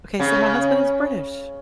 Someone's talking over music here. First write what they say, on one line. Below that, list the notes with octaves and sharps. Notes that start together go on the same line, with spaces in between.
Okay, so my husband is British,
C#3